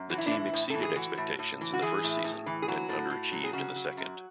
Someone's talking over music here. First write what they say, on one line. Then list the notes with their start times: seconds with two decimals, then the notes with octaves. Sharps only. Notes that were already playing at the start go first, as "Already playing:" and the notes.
The team exceeded expectations in the first season and underachieved in the second.
Already playing: F#2
0.10 E3 F#4
0.18 E4
0.26 D4
0.31 A2 E4
0.53 A2
0.70 E3 A4
0.82 G#4
0.96 E3 F#4
1.17 A2
1.39 A2
1.61 E3
1.73 F#4
1.82 E3 G#4
2.04 A2
2.24 A2
2.46 E3
2.62 G#4
2.68 F#3 F#4
2.89 A2
3.10 A2
3.32 F#3
3.44 G#4
3.53 C#3 F#4
3.76 F#3
3.97 F#2